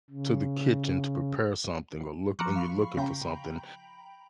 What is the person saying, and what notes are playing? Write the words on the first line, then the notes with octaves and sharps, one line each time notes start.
to the kitchen to prepare something or look and you're looking for something,
C#3
F3 A#5 C#6 D6 F#6 C#7
F5 B5 C#6
C#3 G5 A#5 B5